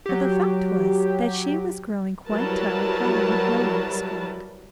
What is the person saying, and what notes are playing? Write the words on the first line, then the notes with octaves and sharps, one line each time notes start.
But the fact was that she was growing quite tired of having no one to scold.
F#3 G4
F#3 G3 E4 A#4 B4 A5